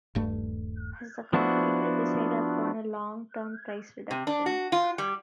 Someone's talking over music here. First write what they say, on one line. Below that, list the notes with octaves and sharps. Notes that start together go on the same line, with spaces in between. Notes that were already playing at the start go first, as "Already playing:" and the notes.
Has the competitor decided upon a long-term price reduction?
D#1 G2 A3
F3 B3 D4 E4 F#4
C3
D4
F#4
F4
G3